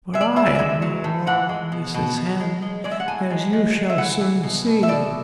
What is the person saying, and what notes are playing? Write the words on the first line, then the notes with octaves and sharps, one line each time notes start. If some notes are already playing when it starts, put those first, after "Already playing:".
But I am no log, Mrs. Hen, as you shall soon see.
G#3 E5
D5
G#3 E5
D5
G#3 E5
F#3
A2
E3 F#5
G#3
B2
B2
B2
G#3
G#3
G#3 D5
E5
F#5
A2 G#5
G#3
G#3
G#3
E5
E3 F#5
E3
B2
B2
E5
B2 D5